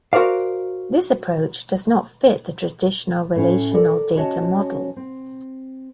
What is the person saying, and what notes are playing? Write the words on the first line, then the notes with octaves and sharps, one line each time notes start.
This approach does not fit the traditional Relational Data Model.
F#4 A#4 C5 D5 F5
A2 C#4 E4
A4 A#4 D5
C#4 E4 F#4 C#5 D#5 A5
C4